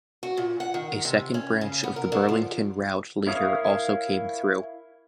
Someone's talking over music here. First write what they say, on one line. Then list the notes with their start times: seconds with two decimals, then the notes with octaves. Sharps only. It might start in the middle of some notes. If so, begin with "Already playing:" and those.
A second branch of the Burlington Route later also came through.
0.23 F#4
0.37 A#2
0.60 F#5
0.74 D#3
1.05 C3
1.34 C#4
1.61 C#3
1.83 B3
1.96 A#4
2.12 D3
2.29 F3
3.27 E4 A#4 C#5 F5 D#6